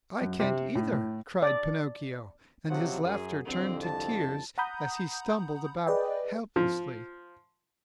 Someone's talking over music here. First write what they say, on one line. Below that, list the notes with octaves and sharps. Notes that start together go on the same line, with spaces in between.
"I can't either," cried Pinocchio; and his laughter turned to tears as he stumbled about helplessly.
F#2
C3
A2
A2
D5
C3 F3 F#3 F#5
F#2 G#4
C2 F2 D3 C4
A5
F#5 A#5 B5 D#6 G6
G#4 B4 D5 D#5 G5
F3